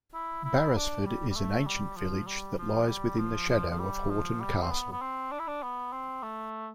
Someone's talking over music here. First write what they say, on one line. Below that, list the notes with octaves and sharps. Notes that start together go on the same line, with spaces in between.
Barrasford is an ancient village that lies within the shadow of Haughton Castle.
E4
E4
D4
G3
G3
A3
G3
F3
G3
F3
G3
F3
F3
F3
G3
F3
G3
C4
B3
B3
C4
D4
E4
D4
B3
C4
A3